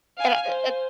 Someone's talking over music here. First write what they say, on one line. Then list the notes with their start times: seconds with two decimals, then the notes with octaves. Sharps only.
And eh eh
0.17 F5 G#5
0.48 C5